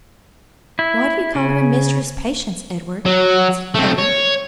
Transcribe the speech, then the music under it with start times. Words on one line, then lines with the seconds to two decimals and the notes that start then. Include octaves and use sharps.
"Why do you call her Mistress Patience, Edward?" said Clara.
0.79 E4
1.35 C#3
3.06 F#3
3.74 A3 C4
3.98 C#5